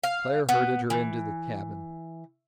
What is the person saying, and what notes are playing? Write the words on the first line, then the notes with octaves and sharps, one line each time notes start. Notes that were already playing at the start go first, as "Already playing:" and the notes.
Claire herded her into the cabin.
F5
B3
E3